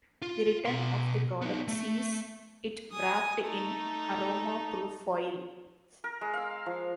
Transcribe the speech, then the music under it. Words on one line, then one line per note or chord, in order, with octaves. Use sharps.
The return of the product sees it wrapped in aroma proof foil.
F4
B2 C6
B3 D#4
A3
G#5 D#6
A3 D#4
A#4
G#3
F5 E6
F3